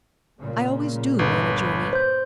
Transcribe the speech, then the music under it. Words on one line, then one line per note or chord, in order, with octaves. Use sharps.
I always do, on a journey.
A#2 C#3
G1 B4
C5 G6